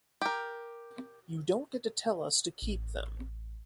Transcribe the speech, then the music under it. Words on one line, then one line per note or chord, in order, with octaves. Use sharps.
You don’t get to tell us to keep them.
G4 A#4
A1